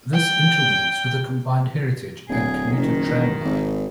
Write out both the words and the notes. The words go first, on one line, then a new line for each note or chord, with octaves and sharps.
This interweaves with a combined heritage and commuter tramline.
G5
D1 G#4
F#1 D#3
E1
G#1